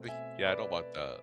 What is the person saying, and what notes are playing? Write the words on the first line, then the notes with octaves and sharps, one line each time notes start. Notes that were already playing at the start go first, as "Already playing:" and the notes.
Ugh, yeah, I don't want that.
Already playing: B2 A3 C4
E5 G#5
B4 D5